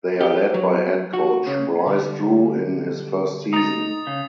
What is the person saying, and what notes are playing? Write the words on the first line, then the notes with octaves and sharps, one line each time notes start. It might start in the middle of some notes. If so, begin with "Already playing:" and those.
They are led by head coach Bryce Drew in his first season.
G4
F#3
F#4
C#3
B2 D3 G3
D#4 A#5 D#6 A6
C#3